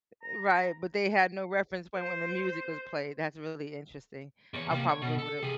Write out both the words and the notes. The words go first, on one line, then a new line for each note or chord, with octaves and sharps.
Eh right, but they had no reference point when the music was played. That's really interesting. I probably would've
A#5
C5
E2 C#5
C3 A#3
C#5
B2
A4
C3 G#4